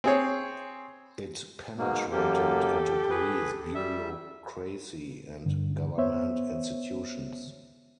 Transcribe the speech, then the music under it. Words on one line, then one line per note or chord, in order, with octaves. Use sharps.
It penetrated into police, bureaucracy and government institutions.
C4 G#4 C#5
G#2 B2 A#3
F#2 A#3 G4 A4
G#4 B4
G3 E5
G2 D3
B3 C5 C#5 E5